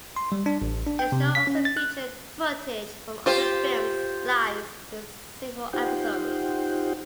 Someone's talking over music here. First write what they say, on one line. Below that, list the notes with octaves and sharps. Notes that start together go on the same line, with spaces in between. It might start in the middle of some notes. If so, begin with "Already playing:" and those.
The show also featured footage from other films spliced into several episodes.
C6
G3
D4
A1
D4
G5
C3
B6
C#4
A6
F#6
F4 G4 C5
D#4 F4 G4 C5 F#5 G5